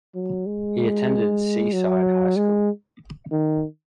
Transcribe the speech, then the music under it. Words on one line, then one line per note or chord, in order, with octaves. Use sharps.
He attended Seaside High School.
F#3
G#3
F#3
G#3
D#3